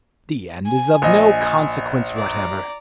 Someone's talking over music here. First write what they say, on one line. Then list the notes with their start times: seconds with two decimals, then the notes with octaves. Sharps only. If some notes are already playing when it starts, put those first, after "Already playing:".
The end is of no consequence whatever.
0.66 G#5
1.02 A#1 D#5
2.16 D5 A#5